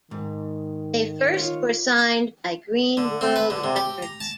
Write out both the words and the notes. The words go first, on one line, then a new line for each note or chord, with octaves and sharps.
They first were signed by Green World Records.
G#2 D#3
F4 C#5
D3
C4
B4
D3
C3
G4
A#5
A5